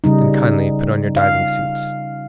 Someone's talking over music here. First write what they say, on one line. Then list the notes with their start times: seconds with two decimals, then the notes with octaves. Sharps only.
"Then kindly put on your diving suits."
0.04 C#3 G3 D#4
1.17 F5